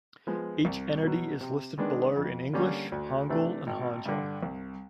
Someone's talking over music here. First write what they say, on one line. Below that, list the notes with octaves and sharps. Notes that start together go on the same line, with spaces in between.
Each entity is listed below in English, Hangul, and Hanja.
F3 G#3 B3
C2
B2 F#3
C3
D#3 G#3 B3 D4
F2
D3 G3 A#3 C#4
D2
C3 E3 A3 D4
G#1
G2 D3
C2